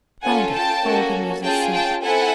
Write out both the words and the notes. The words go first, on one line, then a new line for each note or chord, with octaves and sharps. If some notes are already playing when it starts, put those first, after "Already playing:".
Round it all the Muses sing.
C#4 F4 A4 F#5 G#5
G5 A5
A#3 C#4 F#4 A4
C#4 F4 G#4 G5 A5
G5 A5
C4 E4 A4 F#5 G#5